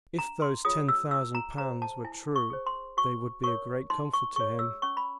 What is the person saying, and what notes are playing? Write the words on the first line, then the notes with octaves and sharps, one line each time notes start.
If those ten thousand pounds were true they would be a great comfort to him.
D4 A#5
C6
F4 G#4 C#5 D#6
E6
E4 E6
A#5
G#4 C5 A#5
A5
E4 G#5
C#6
G#4 C5
C6
F#4 C#6
A#4 C#5 C#6
D#4 C6
C#6
G#4 C#5 C#6
E6
C#4 C#6
B5